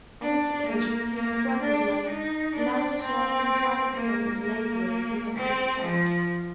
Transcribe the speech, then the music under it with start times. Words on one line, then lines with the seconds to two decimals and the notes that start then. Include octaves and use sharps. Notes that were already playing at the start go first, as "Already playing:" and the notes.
On this occasion he had won his money, and Alice saw him drag it in as lazily as he had pushed it out.
0.22 D4
0.68 A#3
1.15 A#3
1.62 D4
2.09 D#4
2.55 D4
3.02 C4
3.95 A#3
4.42 A#3
5.36 C4
5.82 F3